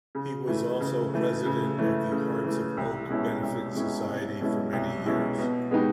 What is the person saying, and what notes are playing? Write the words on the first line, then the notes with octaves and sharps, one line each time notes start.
He was also president of the Hearts of Oak Benefit Society for many years.
C#3
E3 A3
C#3
E3 A3
C#3
E3 A3
C#3
E3 A3
C2
B2 G#3 C#4 E4
C2
B2 G#3 C#4 E4
C2
B2 G#3 C#4 E4
C2
B2 G#3 C#4 E4
B2
G#3 B3 D#4 G4